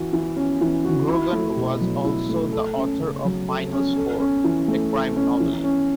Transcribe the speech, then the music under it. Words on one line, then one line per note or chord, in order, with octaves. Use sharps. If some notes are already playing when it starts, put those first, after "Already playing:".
Grogan was also the author of "Final Score," a crime novel.
Already playing: E3 F#4
E3
C#4
E3
F#4
E4
A3
B2
F#3
E4
A3
A4
C#4
C#3
F#3
A4
C#4
A4
C#4
E3
A3
A4
C#4
E3
C#4